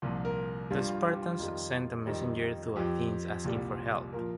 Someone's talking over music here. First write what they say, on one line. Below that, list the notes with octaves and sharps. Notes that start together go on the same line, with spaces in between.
The Spartans sent a messenger to Athens asking for help.
C2 A#2 F3
A#4
G2 G3 F4
F4
G4
F4
F2 D#3 G3
F2 D#3 G3
F2 F3 G4
C2 A#2 G3
A#2 F3 A#4